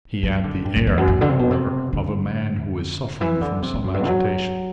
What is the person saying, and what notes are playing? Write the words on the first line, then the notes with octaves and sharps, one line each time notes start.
He had the air, however, of a man who is suffering from some agitation.
F#3
D3
G2
F#2
E2
F#2
A2
D3
C3
B2
C3
D3
E3
D3
C3
A2
F#2
G2
F#3